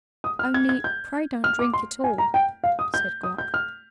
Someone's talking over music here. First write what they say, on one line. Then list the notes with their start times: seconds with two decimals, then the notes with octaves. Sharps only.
"Only pray don't drink it all," said Gluck.
0.24 D#6
0.39 F6
0.54 G#6
0.69 G#6
0.84 G6
1.44 F6
1.59 D6
1.73 C6
2.04 G#5
2.18 A#5
2.34 G5
2.64 F5
2.79 D#6
2.94 G6
3.23 D#6
3.38 G6
3.54 F6